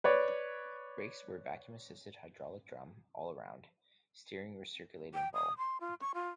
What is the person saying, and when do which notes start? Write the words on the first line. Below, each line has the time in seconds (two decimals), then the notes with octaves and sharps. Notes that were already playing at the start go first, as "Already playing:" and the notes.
Brakes were vacuum-assisted hydraulic drum all around, steering recirculating ball.
0.04 B4 C#5 D5
5.14 G5
5.34 D#6
5.58 C6
5.81 F4
6.01 C#6
6.14 F4